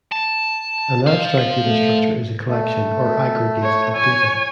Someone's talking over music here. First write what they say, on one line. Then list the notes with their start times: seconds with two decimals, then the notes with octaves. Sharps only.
An abstract data structure is a collection, or aggregate, of data.
0.12 A5
1.07 C5 F5
1.66 A3
2.48 A3
3.63 C#5
3.96 C#5 G#5